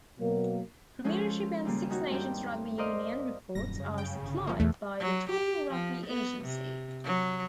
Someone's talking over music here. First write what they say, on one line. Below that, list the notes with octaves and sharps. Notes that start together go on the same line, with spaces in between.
Premiership and Six Nations rugby union reports are supplied by the Talking Rugby agency.
B2 F#3 A#3
F3 G#3 C#4 F4 A4
D#2 C#3 G3 A#3
C#4 D#4 F#4 C#5
G2 C4 G5
A#4 C5 D5 D#5 F5
D#1 F#2 F#3 G3 A#6
C#3
G5
G1 D3
F3 A#3
E2 B2 A3
F#3
G4
F3
B3
C3
F#3